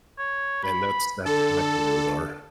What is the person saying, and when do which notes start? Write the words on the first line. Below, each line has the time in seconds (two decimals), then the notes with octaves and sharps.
And that's that's what my feelings are.
0.18 C#5
0.63 B5
1.26 D3 A4 A5